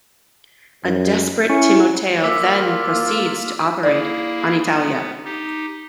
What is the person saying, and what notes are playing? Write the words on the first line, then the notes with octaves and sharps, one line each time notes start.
A desperate Timoteo then proceeds to operate on Italia.
F#2
C#4 E4
A#3 F4 D6 E6 B6
A#3 E4 G#4 D5
B3
D#4 G4